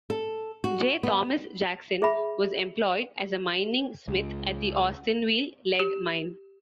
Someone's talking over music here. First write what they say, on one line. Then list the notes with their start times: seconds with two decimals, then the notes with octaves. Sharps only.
J Thomas Jackson was employed as a mining smith at the Austinville lead mine.
0.10 A4
0.64 F#4
1.03 B3
2.02 G#4 E5 B5
4.08 C#2
5.79 G4